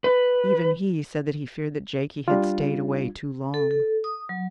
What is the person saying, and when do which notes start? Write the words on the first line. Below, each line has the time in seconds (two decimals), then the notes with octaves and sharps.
Even he said that he feared that Jakie had stayed away too long.
0.04 B4
2.28 G3 D4 F4
3.54 A4
3.71 A4
4.04 D#6
4.29 F#3